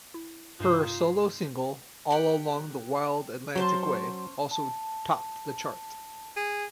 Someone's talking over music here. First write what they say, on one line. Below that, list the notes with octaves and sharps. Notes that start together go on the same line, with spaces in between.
Her solo single "All Along the Wild Atlantic Way" also topped the chart.
E4
G2 C3 G#3 D#4 F4 C5
G4 F#5 G5
F#3 C#4 C5 A5
A5
G#4